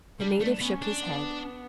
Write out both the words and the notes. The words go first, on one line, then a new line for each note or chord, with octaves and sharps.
The native shook his head.
G3 D4
A3
B3 C#4
D4
B3